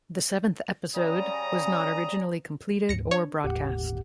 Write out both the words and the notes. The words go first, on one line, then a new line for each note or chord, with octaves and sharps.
The seventh episode was not originally completed or broadcast.
C#3 G3 C#4 D5 A#5 D#6
D2 G#2 A#6 C#7
D4 C#5
G1 D#2 A2 G4 F#5